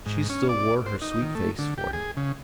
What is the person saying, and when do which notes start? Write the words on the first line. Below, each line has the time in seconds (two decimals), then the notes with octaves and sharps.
She still wore her sweet face for him.
0.06 G#2
0.29 C#4
0.49 D5
0.86 C5
1.02 D#4
1.22 D#3
1.35 A3
1.59 D3
1.78 G4
1.93 G#4
2.17 C#3